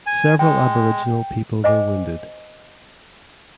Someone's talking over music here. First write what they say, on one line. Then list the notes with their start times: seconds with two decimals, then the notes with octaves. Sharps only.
Several Aboriginal people were wounded.
0.06 G#5
0.39 G#3 G5
1.64 C5 D#5 G5 G#5 D6